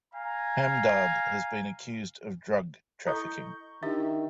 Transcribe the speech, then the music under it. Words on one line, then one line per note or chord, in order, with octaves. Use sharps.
Hamdard has been accused of drug trafficking.
F5 G#5 A#5
E4 A4 D#5 A#5 C#6 D#6 G6
D#3 D4 E4 G4 E5